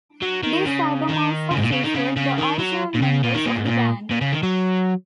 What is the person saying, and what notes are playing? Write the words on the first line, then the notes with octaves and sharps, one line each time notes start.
This album also featured the original members of the band.
F#3
D#3
C#3
D#3
C#3
G#2
A#2
C#3
D#3
C#3
C#3
D#3
F#3
A#2
C#3
A#2
D#3
A#2
G#2
A#2
A#2
C#3
D#3
F#3